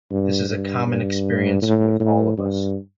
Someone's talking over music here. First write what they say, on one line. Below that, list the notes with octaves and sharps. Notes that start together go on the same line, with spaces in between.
This is a common experience with all of us.
G2
G2
G2
A2
A2
G2